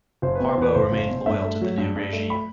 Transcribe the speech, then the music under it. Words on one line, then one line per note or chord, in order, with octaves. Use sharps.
Harbou remained loyal to the new regime.
F#1 C5
B4
B2
C5
E2 B4
F#1 C5
F#1
B2
G2 E5
A3
F#3
G2
G2
A3
B5